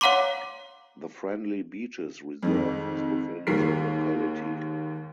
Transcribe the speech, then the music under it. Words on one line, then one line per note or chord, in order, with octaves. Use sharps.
The Friendly Beaches Reserve is within the locality.
C#5 F5 F#5 A#5 C6 D6
F2 G#2 D#3
D#2 G#2 A#4 B6 C7